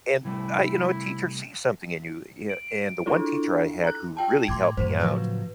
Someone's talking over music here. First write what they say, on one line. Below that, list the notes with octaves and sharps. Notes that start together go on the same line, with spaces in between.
and I you know, a teacher sees something in you, you know, and the one teacher I had who really helped me out,
C3 G3 A3 E4
D7
D4 E4 F4 A4
A#5 F#6
F4 G5 A5
A2 C6 D6 G#6
F#2 A2 C5
C#3 F3 F#3 B4